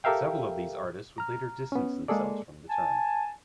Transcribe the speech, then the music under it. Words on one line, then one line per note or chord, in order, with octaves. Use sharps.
Several of these artists would later distance themselves from the term.
G4 A4 A#4 E5 F5 G5
A#5 F6
B3 C#4
G#3 A#3 G#4 A4 D5
G#5 A5